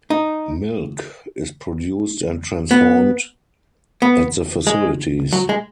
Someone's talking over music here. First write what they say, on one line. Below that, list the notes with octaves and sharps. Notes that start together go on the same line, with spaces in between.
Milk is produced and transformed at the facilities.
D#4
B3
B3
G#3
F#3
G#3